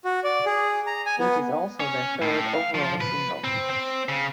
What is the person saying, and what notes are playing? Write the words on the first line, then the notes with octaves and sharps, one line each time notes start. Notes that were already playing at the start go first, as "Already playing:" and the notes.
It is also their third overall single.
F#4
D5
G#4
A#5
G#5
B3
C#4
A2
F5
F3
B4
C4
C4
C#3